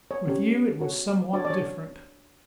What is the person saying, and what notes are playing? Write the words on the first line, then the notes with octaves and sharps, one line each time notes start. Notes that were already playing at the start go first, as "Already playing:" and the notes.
With you it was somewhat different.
C#5
C#4 G4 C#5
F#4 C#5
D4 F#4 C#5 D5
D5
C#5